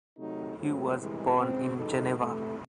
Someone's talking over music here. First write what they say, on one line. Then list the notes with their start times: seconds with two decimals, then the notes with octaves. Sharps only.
He was born in Geneva.
0.17 C3 D#3 F#3 A3 D#4
0.57 C#2 C#3 F#3 A3 C4
0.98 C2 C3 E3 G#3
1.38 C#3 G#3 C4
1.78 F#2 E3 G#3 D#4 A4
2.18 C3 E3 A3